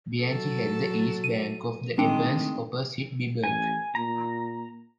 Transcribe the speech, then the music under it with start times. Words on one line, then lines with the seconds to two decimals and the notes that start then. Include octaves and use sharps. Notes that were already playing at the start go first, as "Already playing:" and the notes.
Bianchi held the east bank of the Abens opposite Biburg.
0.21 F#3 A4
1.24 D#7
1.98 A2 D#3 G#3 C4 D4 G5
3.44 A1 G#5
3.95 A#2 A#5